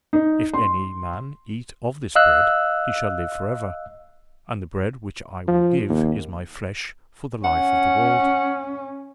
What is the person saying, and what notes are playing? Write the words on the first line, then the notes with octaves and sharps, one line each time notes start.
If any man eat of this bread, he shall live forever; and the bread which I will give is My flesh, for the life of the world....
D#4
C6
D#5 F5 E6 F#6
F3
D#2
C#4 F#5